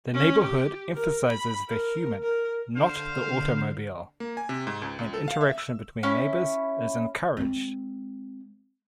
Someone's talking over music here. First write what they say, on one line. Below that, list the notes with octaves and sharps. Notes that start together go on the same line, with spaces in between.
The neighborhood emphasizes the human, not the automobile, and interaction between neighbors is encouraged.
C#4
G4
A#4
B5
A#4
A#4
D3 C5 F5
A#3
G#5
C3
G#2
C#2
C#2
A4
F5
E5
E6
C#4 E4
G#3 C4